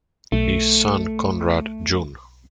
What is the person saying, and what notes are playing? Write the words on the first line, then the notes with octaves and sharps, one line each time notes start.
His son Conrad jun.
B1 A3